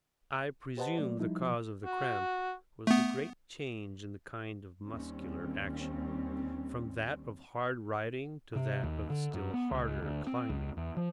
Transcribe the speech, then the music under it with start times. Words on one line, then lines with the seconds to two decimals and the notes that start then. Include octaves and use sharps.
I presume the cause of the cramp was the great change in the kind of muscular action, from that of hard riding to that of still harder climbing.
0.77 G4 B4 C5 D#5 F#5 A5
0.98 F#3 A3 B3 D5
1.19 F3 G3 D#4 E4
1.41 C3 F3
1.85 F#4
2.87 A3 B3
4.88 D#2 G3 C4 C#4
8.56 C3
8.83 D#2
9.10 D3
9.34 F#2
9.54 B3
9.71 C#2
10.02 D2
10.27 C4
10.50 C#2
10.77 E2
10.97 F3